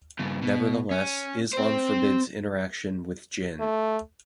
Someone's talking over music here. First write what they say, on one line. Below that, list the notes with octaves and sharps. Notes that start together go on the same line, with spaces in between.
Nevertheless, Islam forbids interaction with Jinn.
G2 C#3
B2
C#4
C4 C5
A3